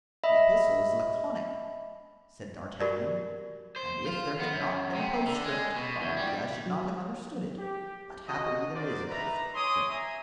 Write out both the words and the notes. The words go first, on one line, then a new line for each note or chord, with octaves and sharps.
"The epistle is laconic," said D'Artagnan; "and if there had not been a postscript, probably I should not have understood it; but happily there is a postscript."
D#5 E5 B5
F#4 G4 A#4 D5
C5
F4
B3
F#2
C3
D3
G#3
B2
E2
G3
F#3
G4
F#4 D#5
F#4 A#4 C5 D5
D#4 B4 E5 A#5
C#5 G#5 C6 D6 D#6
E5 G#5 A#5